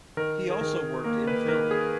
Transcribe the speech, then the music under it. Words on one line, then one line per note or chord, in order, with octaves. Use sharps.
He also worked in film.
D#3 A#4
G#4
D#3 A#4
A#3 A#4
B4
D#3 A#4
G#4